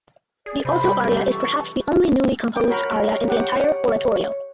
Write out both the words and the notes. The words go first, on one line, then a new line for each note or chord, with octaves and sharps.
The alto aria is perhaps the only newly composed aria in the entire oratorio.
G#4 D5
C3 C5 B5
G3
A3 G4
C#2 E3 A4 C#6
G5
F#4 A#4 C#5 B5
G4 F#5